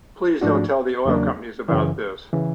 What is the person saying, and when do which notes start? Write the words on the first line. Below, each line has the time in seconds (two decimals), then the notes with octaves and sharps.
Please don't tell the oil companies about this.
0.41 G#2 F3 A3 D4 F#4
1.05 E2 C#3 F#3 A#3 D4
1.69 F#2 C#3 E3
2.33 C#3 E3